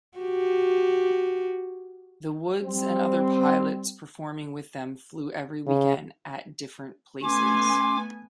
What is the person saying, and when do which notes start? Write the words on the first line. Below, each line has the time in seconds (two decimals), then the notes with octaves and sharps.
The Woods and other pilots performing with them flew every weekend at different places.
0.18 F#4 G4
2.64 G3 C4
5.68 C#3
7.24 A3 B3 C#4 G#5 C6 D6